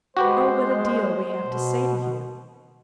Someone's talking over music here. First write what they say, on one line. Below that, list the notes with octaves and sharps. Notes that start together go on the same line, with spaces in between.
'O what a deal we have to say to you!
G#3 F#4 G4 B4 C5
B2